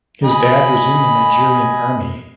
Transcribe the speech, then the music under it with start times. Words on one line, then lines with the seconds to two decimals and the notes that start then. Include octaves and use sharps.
His dad was in the Nigerian Army.
0.24 D#5 G#5 B5